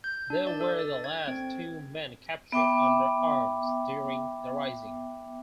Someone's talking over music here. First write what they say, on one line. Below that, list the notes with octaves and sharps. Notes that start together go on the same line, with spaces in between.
They were the last two men captured under arms during the Rising.
G6
D4
D5
A4
A6
G#6
C4
B3 E5 G5 D6